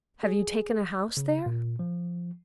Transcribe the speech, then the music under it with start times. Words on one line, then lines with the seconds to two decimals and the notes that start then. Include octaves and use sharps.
Have you taken a house there?'
0.23 G#4
1.17 C#3
1.46 A#2
1.79 F3